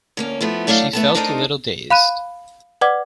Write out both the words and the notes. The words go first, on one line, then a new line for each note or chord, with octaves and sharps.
She felt a little dazed.
D2 A#3 C#4
F3 A3 B3 E4
F#3 A3 D4 D5 F5
A3 B3 A5
D4 D#4 A4 A#4 C5 D#5
F5 B5 F#6 D#7
B4 D5 F#5 D6 G#6